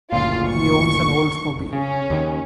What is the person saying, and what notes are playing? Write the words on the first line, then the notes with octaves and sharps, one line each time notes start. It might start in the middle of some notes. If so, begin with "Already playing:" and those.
He owns an Oldsmobile.
F#1 D2 A#2 F4
C#6
C#3 C#4
D#2 D#3